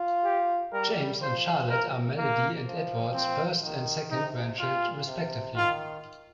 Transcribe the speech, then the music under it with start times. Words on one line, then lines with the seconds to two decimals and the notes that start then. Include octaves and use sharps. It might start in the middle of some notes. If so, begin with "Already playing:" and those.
James and Charlotte are Melody and Edward's first and second grandchild, respectively.
Already playing: F4
0.24 G4
0.73 G3 A#4
1.21 F3 C5
1.69 A#4
2.18 A#3
2.66 F3
3.14 C4
3.63 D#3
4.11 C3 D#4
4.59 A#2 F4
5.07 C3
5.56 D#3 F4